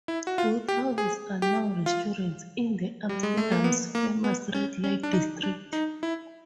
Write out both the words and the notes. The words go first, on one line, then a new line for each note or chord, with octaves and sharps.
Both houses are now restaurants in Amsterdam's famous red light district.
E4
F#4
F4
G4
G#4
G4
F4
G3
G#3
A3
A#3
B3
A#3
B3
C#4
C#4
D4
D#4
D4
D#4
E4